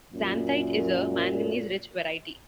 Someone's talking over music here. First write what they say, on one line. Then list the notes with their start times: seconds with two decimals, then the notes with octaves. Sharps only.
"Xanthite" is a manganese rich variety.
0.13 F#2 A#2